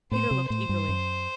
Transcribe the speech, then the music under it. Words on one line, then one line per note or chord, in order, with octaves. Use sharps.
Peter looked eagerly.
A2 C5
C3
A2 C5
G2
F#2